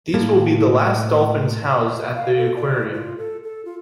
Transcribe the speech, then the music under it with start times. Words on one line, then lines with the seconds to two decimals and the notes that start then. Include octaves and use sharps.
These will be the last dolphins housed at the aquarium.
0.14 A2 A#3
2.15 F5
2.37 A4
2.56 D5
2.93 F4
3.18 A4
3.44 A4
3.65 F4